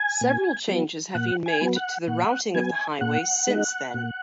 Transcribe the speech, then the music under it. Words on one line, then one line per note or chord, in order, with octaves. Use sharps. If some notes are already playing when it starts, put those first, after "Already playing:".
Several changes have been made to the routing of the highway since then.
Already playing: G#5
A#2
F#3 B3
A#2 F#5
G#5
F#3 B3
F#5
A#2 F#5
F#3 B3 G#5
A#2 F#5
G#3 D#4
A#2